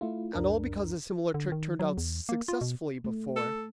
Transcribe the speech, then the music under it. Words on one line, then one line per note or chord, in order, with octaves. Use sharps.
And all because a similar trick turned out successfully before!
A3 E4 F4
C#2 F#2 D4 A#4
D3
D#3
F#3
E2
A#3
F4
B2
A3
A4